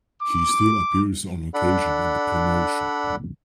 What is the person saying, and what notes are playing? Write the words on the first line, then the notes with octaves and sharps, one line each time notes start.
He still appears on occasion in the promotion.
D6
D4 A4 D5 F#5 B5